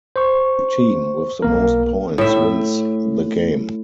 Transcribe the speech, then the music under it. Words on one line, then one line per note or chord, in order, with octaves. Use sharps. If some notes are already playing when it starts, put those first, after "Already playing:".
The team with the most points wins the game.
C5 C#6
B1 A#3 A#4
A2 E5